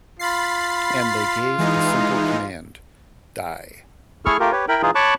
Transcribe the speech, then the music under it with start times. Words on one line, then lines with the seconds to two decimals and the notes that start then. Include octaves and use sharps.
And they gave a simple command: Die.
0.19 F4 B5 A6 C7
1.58 E3 G#3 D#4
4.26 A3 E4 G#4 A4 C#6 F6
4.40 A3 F4 G4 A#4
4.52 G4 B4 C#5
4.68 E4 A#4 G5 B5
4.82 E3 D#4 F4 G#4
4.95 C#5 A5 B5 C#6 D6 F#6